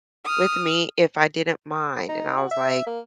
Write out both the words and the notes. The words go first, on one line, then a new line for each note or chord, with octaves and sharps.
with me if I didn't mind. And I was like,
D#6 F6
D#4
F#4
E5
A#3